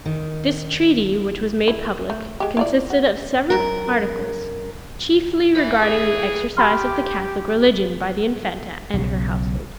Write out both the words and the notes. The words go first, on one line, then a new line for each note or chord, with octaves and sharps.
This treaty, which was made public, consisted of several articles, chiefly regarding the exercise of the Catholic religion by the infanta and her household.
D#3
E4
A3
G#3 G4
E4 F4 D5
F#4
F#2 A#4
B4 E5
G#4
G4 B5 C6 F6
B1 C#3